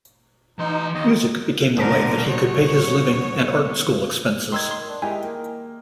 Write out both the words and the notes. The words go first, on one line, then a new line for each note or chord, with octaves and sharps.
Music became the way that he could pay his living and art school expenses.
E3 D#4 C6
D#2 D#5
D#1 B2 D3 A#4 C5
C#5
D#3 C6 E6 G#6
C6
D4
D#3 G#3 E4 G4 G#5
A#3